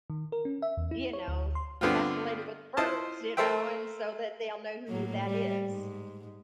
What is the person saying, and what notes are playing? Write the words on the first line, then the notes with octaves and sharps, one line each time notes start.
you know, "That's the lady with the birds," you know, and, so, that they'll know who that is.
D#3
A#4
C#4
E5
E2
E4
C#5
D2
C6
G2 D3 B3 C4 F4
E4 F4 C5 D#5 A5 C6
A3 A4 A#4 C5 E5 G5
A2 F#3 A#3
G3
G#2